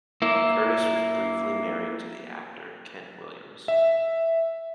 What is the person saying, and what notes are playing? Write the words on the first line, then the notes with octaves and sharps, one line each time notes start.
Curtis was briefly married to the actor Kent Williams.
A#3 E4
E5